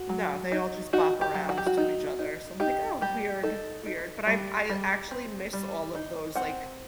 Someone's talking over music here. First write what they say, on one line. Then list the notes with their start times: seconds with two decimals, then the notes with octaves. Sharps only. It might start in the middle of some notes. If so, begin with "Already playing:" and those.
No, they all just bop around to each other, so I'm like, "Oh, weird, weird," but I'm I actually miss all of those, like,
Already playing: F#4
0.09 F#3
0.52 D#4
0.93 D#4 F#4
1.21 G4
1.34 F#3
1.49 F#4
1.58 G4
1.67 F#4
1.77 D#4
2.19 D#4
2.60 D#4 G4
3.01 G3 G4
3.43 D#4 A4
3.86 D#4
4.27 G3
4.69 G3
5.11 C4
5.53 G3
5.95 D#4
6.36 C4 F#5